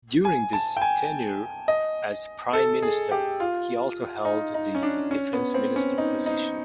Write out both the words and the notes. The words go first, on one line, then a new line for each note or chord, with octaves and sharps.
During this tenure as prime Minister, he also held the Defense Minister position.
G#5
A5
G5
G#5
D#5
A4
G#4
G4
F4
D#4
D#4
C#4
D4
C#4
B3
C4
C#4
D#4
D#4